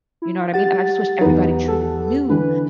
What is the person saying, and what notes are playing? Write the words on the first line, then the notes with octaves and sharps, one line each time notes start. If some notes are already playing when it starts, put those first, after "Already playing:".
You know what I mean? And I just wish everybody truly knew
E4
G4 F#5 A6
E2 D#4 B4
A4
D3 E3 B4